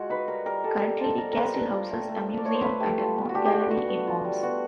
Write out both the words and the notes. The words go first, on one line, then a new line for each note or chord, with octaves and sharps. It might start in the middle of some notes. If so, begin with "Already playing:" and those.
Currently the castle houses a museum and an art gallery in arms.
Already playing: G#3 F4 F#4
D#4 B4
G3 A#4
G3 A#4
G3 A4
G3 A#4
C4 A4
G3 A#4
C4 A#4 B4
D4 A#4
F4
A3
A3
D4
D5
A3 C#5
C5
A3 B4
A3 G4
F4
B3
F#4
D4 G4
G4
F4 F#4
D4 F#4
B3
F4
G3
B3 F#4